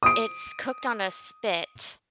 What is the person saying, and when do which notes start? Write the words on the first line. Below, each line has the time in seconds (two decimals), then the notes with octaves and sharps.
it's cooked on a spit,
0.03 D#6 D7